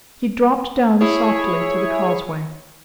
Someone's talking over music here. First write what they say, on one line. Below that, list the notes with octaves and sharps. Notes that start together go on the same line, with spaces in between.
He dropped down softly to the causeway.
E4 G#4 C#5